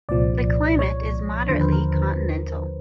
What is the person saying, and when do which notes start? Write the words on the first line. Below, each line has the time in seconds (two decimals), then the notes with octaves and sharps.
The climate is moderately continental.
0.09 C2 A#2 F3 D5
0.79 C#5
1.49 D#2 D3 F3 C5
1.61 B4
1.73 A#4